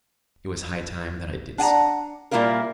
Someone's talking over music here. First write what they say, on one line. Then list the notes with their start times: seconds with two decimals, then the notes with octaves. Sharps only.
It was high time that I did so.
1.58 D4 F#5 G#5 A#5
2.31 A#2 G3 A#3 E4 F4 A#4